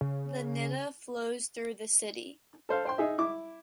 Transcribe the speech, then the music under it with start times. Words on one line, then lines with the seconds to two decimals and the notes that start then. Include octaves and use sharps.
The Nidda flows through the city.
0.01 C#3
2.69 A4 C5 F5
2.85 C5 G5 C6
2.98 D#4 G#4 E5
3.18 E4 D6